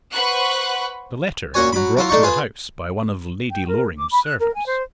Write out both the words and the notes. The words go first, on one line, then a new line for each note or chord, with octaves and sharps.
The letter had been brought to the house by one of Lady Loring's servants.
B4 C5 F#5 B5 C#6 F#6
A#2 C#4 F#4 C#5 G#5
F#3 B5
F#3 E4 F4
A3 D4 D#4 C#6
F4 G#4 B4
G5
A#4
D6
B5
F#6
A#4
G#5
C5